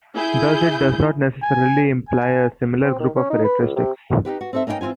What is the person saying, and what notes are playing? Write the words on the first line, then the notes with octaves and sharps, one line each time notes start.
Thus, it does not necessarily imply a similar group of characteristics.
E4 G#4 G6
G#5
G#5
C4
D#3
C#4
D#4
B4
C#2
C3
D#4 F4 G4 B4
F#4
C4 D#4 A4 C#5 E5
A#3 C#4 D#4 E4 D#5 G5
E3 C4 C#4 F4 G#5